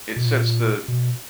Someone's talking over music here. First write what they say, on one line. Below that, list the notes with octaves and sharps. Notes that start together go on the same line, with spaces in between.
it sets the
B2
A#2
B2